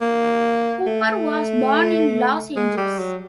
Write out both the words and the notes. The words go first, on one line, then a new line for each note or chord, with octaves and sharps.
Cooper was born in Los Angeles.
A#3
A3
G#3
G3
F#3